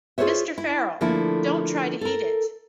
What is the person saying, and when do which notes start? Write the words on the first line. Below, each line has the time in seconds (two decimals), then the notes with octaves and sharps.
Mr. Farrell, don’t try to eat it.
0.18 F4 G#4 A#4 C5 C#5 E5
0.58 E4
1.01 D3 F3 A3 A#3 D4 E4
2.01 A4 A#4